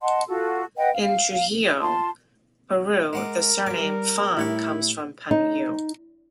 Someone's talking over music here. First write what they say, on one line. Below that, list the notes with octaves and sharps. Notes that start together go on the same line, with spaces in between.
In Trujillo, Peru the surname Fhon comes from Panyu.
D#5 F#5 A5 C6
F4 F#4 A4
B4 D#5 F#5 G5
F5
F4 A5 C6
G#3 A#4 F#5 D6
G3 B3 D6
A2 E4 G4 C#6
D#4